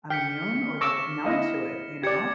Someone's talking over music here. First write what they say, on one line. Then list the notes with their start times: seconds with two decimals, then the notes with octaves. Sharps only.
immune or like numb to it, you know.
0.10 G5 F6 B6 C#7
0.81 C#6 D6 E6 A#6 E7
1.25 E4 D#5 F5
2.03 G4 D5 G#6 C#7